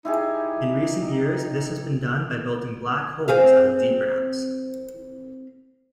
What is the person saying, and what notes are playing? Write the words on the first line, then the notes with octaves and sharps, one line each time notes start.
In recent years, this has been done by building black holes out of D-branes.
D#4 E4 G4 G#4
C4 G#4 F5